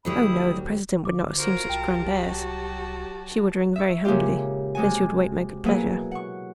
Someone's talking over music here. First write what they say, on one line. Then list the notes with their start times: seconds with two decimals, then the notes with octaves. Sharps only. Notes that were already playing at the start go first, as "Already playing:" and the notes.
Oh! no, the presidente would not assume such grand airs; she would ring very humbly, then she would wait my good pleasure.
0.05 D2 F#3 G3 E4 B5 D#6
1.05 D3 D6
1.37 F4 F#4 A#4 C5 C#5
1.69 C2 F#3 G4 G5 A5
2.11 F#4
3.76 E5 C#6
4.05 A#2 C#3 G#3 A#3 F4 G4
4.75 C3 G#3 F#4 G#5
5.64 B2 F#3 A#3 E4 G#4
6.11 F#5 C#6